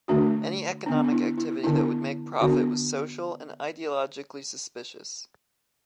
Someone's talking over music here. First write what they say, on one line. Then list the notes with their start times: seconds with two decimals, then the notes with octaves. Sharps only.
Any economic activity that would make profit was social and ideologically suspicious.
0.08 D3 A3 D4 F#4
0.86 D3 B3 D4
1.04 D4
1.12 E4
1.38 E4
1.64 D3 B3 D4 E4
2.41 D3 B3 D4 F#4